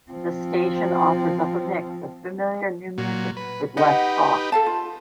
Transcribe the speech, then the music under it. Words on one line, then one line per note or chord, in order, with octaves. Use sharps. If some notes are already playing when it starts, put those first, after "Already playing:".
The station offers up a mix of familiar new music with less talk.
F3 C4
A#2 F#3
B4
D#4 G4 B4 D#5 F#5
A4 F5 A5
F4